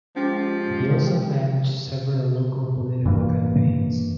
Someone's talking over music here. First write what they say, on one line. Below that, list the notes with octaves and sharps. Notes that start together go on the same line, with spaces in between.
He also managed several local political campaigns.
F3 G#3 C#4 G4
G2 E3 A#3